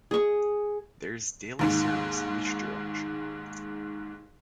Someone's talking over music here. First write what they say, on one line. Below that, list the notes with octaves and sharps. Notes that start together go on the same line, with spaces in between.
There is daily service in each direction.
G#4 C#6
D#2 G#2 D#3